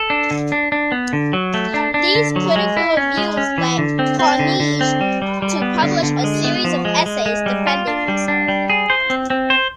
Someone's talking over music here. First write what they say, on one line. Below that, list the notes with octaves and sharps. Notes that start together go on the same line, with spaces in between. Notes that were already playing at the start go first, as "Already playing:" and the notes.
These critical reviews led Carnegie to publish a series of essays defending himself.
Already playing: A4
D4
D3
D4
D4
B3
D3
F#3
A3
D4
D4
D3
F#3
G#3
E4
C#4
G#3
C#4
E3
D3
C4
C4
D3
D3
C4
G3
G3
G3
B3
D3
D3
G#3
B3
F3
G#3
G#3
G#3
G3
F4
D4
G3
D4
G3
G#4
C5
C4
C4
C5